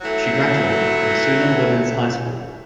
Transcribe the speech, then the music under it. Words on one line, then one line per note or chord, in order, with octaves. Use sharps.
She graduated from Sunil Women’s High School.
E3 F#3 A3